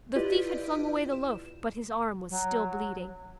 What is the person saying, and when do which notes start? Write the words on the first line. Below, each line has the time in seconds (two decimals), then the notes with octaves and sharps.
The thief had flung away the loaf, but his arm was still bleeding.
0.15 E4 F4 G4 B4 D5 D#5
1.13 E7
2.30 F#3